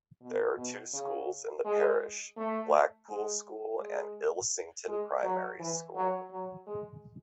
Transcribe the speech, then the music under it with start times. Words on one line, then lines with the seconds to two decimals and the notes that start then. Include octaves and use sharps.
There are two schools in the parish: Blackpool School and Ilsington Primary School.
0.22 B2
0.57 B2
0.93 C#3
1.65 G#3
2.37 A3
3.08 G#3
3.80 G#3
4.88 G#3
5.23 F#3
5.59 E3
5.95 F#3
6.31 F#3
6.67 G#3